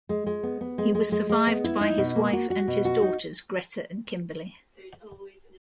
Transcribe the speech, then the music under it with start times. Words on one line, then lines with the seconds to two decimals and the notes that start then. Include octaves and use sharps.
He was survived by his wife and his daughters Greta and Kimberly.
0.09 G#3
0.26 G#3
0.43 B3
0.61 B3
0.78 G#3
0.95 G#3
1.12 G#3
1.29 G#3
1.47 B3
1.64 E4
1.81 D#4
1.98 B2
2.15 A#3
2.33 F#4
2.50 F#4
2.68 B2
2.85 F#4
3.02 D#4